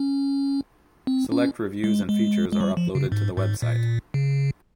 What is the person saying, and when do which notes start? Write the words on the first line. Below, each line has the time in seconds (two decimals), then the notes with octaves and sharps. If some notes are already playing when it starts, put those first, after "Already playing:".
Select reviews and features are uploaded to the website.
Already playing: C#4
1.07 C4
1.32 C#4
1.84 G#3
2.09 G#3
2.53 G#3
2.60 G3
2.77 F3
2.95 C#3
3.12 G#2
3.37 G#2
3.62 A#2
4.14 C#3